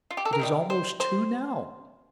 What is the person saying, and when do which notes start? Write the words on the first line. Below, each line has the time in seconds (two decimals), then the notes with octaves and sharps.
It is almost two now.
0.10 F4
0.17 G4
0.25 A4
0.33 A#4
0.39 C3 D#3 G3
0.70 C5
1.00 C5